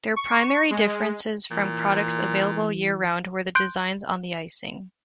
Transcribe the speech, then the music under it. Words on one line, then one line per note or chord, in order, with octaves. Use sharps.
Their primary differences from products available year-round were the designs on the icing.
C#6
G#3
A#2 E3
C6 F#6 G6 D7